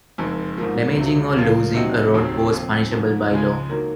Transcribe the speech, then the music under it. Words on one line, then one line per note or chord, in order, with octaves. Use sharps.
Damaging or losing a rod was punishable by law.
F#1 F2 D#3 G#3
G#1 G#2 F3 A#3
C#2 C3 F#3
C#2 C#3 F3 A#3 F4
C3 F3 C4 D#4 F#4
F1 D#2 C#3 F#3 C4
A#2 F3 C4
G#1 G#2 F3
C#2 C#3 F3 G#3
D#3 F#3 A#3